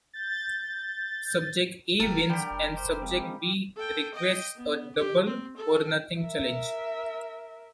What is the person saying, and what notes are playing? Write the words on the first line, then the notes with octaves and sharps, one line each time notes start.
Subject A wins and subject B requests a “double or nothing” challenge.
G6 A6
F1 G4 A4 A#4
D#3 G3 D4 G4 G5
F1
C5
F3 G#3 C4
A4 G5
D#5 G5
B3
G4
C4
A4
A#4 E5